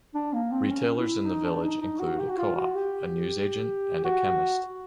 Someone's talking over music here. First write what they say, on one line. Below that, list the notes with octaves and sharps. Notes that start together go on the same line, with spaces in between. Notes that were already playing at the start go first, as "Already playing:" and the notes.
Retailers in the village include a Co-op, a newsagent, and a chemist.
D4
A#3
C4
C#4
E4
D#4
D4
D#4
D#4
F#4
G4
F#4
F4
F#4
G4
F#4